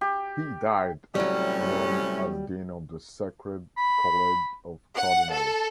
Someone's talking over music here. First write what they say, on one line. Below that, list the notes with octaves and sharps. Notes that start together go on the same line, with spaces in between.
He died at Rome as Dean of the Sacred College of Cardinals.
G4
A2 C3 F#3 G3 C#4
B5
F#5
A4